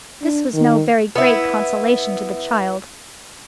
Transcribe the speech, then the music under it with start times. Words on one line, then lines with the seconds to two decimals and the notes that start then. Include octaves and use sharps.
This was no very great consolation to the child.
0.22 D4
0.54 D#3
1.16 B3 E4